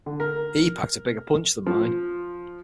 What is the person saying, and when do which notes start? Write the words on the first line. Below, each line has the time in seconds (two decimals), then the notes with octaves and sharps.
He packed a bigger punch than mine.
0.06 D3
0.20 A#4
1.66 F3